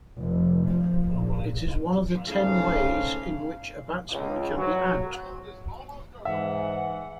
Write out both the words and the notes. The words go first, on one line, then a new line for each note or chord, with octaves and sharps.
It is one of the ten ways in which a batsman can be out.
F1
F3
A#2
G#2 C#3 A3 F5
C#2
F#3
G#2 E3 E5 F#5